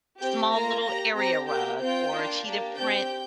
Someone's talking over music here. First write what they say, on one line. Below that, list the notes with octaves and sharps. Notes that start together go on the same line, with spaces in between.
small little area rug or a cheetah print
C4 G4 G5 G6
A#3 F4 A#5 A#6
A#3 G4 A#5 A#6
C4 G4 A#5 A#6
A#3 G4 G5 G6
C4 F4 G5 G6
A#3 D4 F4
A#3 D4 G4
C4 G4 G5 G6